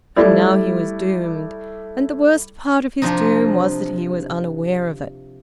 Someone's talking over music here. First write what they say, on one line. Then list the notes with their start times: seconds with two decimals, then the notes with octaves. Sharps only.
And now he was doomed, and the worst part of his doom was that he was unaware of it.
0.16 G3 A3 E4 D5
3.02 C3 F3 D4 D#4